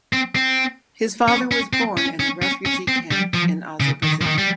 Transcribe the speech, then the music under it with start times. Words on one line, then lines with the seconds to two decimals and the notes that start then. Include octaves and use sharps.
His father was born in a refugee camp in Azerbaijan.
0.13 C4
0.36 C4
1.28 C#4
1.51 C#4
1.73 C4
1.97 C#4
2.20 C#4
2.43 C#4
2.66 C#4
2.88 C4
3.12 G3
3.34 F3
3.80 C#3
4.03 D#3
4.21 F3
4.26 D#3
4.38 G3